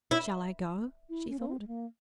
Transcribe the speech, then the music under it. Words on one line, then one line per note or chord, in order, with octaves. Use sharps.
"Shall I go?" she thought.
E4
E4
C#4
A#3
C4
G#3
A#3